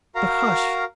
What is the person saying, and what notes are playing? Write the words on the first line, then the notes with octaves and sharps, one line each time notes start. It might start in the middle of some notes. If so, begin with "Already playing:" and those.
But hush!
F#4 A#4 F5 A#5